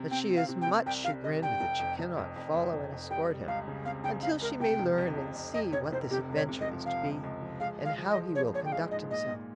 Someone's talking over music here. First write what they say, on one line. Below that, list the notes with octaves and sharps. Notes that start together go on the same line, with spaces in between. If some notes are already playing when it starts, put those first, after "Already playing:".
But she is much chagrined that she cannot follow and escort him, until she may learn and see what this adventure is to be, and how he will conduct himself.
Already playing: C3
C4 G5
C4
F5
C3
G5
C3
C2 G5
G3 F5
G3 D#5
C2 G5
F1
F2
F1
F2
F2
F2
F1
F2
G3 G5
G3
C#2 F5
C#3
C4 F5
C#3 G5
C#3 F5
C#2 A#4
C3 G5
F1
F2
F1
F2
F2 D#5
F1 C#5
F1 C5
C3 G4
C#2
C#5
C3
D#5
F3
F3 F5
C#2
C#2
F3
G#3 F5
G#3
F5
F3
D#5
G#3
F3 C#5
A#1 C#5
G5
G#3 F5
G#2 D#5
A#2 D#5
A#2